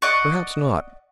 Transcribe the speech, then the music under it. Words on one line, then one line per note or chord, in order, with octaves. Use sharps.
Perhaps not.
D5 D#5 F#5 C#6